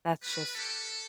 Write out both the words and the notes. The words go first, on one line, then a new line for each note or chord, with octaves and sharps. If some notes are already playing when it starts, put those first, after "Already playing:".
that's just
G3 C#4 F#4 B4
C#4 G4 A4